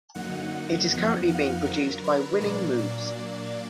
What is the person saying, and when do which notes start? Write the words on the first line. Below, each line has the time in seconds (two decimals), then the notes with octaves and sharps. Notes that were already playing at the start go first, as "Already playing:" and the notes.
It is currently being produced by Winning Moves.
0.15 F#2 D3 F#3 A#3 D#4 F#5
0.90 F2 F3 B3 D#4 F#5
1.28 F5
1.65 D3 F#3 D4 A#4
2.04 B4
2.41 A#2 F#3 A#3 D4 D5
2.78 D5